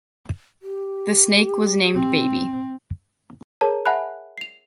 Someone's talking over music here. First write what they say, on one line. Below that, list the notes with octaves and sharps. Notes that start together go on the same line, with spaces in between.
The snake was named Baby.
G4
C4
G#4 A#4 C#5 A5 A#5
E5 F#5 G#5 A5 B5 F#6
C7 F7